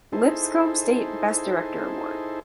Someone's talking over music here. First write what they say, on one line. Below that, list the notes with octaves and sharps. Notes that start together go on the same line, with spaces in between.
Lipscomb State Best Director Award.
D#4 E4 G#4 A4 C5